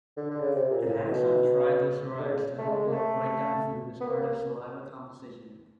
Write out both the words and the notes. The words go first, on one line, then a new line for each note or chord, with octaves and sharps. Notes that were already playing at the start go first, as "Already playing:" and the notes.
It acts on tryglicerides to help breakdown food as a part of saliva composition.
D3
D3
C#3
C3
A#2
A2
B2
D3
C#3
A3
G#3
A#3
A3
B3
A#3
A#3